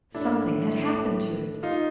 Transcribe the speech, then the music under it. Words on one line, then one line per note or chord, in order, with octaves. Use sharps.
Something had happened to it.
A2 D4 E4
D#4 F4